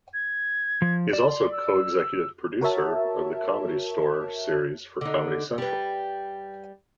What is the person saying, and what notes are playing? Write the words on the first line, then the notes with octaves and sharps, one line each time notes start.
He is also co-executive producer of The Comedy Store series for Comedy Central.
G#6
F3
D5 E7
C6
E6
F#4 A#4 C#5 E5 A5
D3 D#4
G3 B4